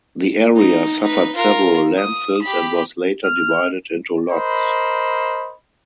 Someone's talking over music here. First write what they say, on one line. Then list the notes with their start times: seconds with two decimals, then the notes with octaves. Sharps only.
The area suffered several landfills and was later divided into lots.
0.56 D#4
1.02 D#4 B4
1.36 F4 A#4
1.98 D#6
2.42 G4 B5
3.24 F6
4.30 A#4 C5 D#5 B5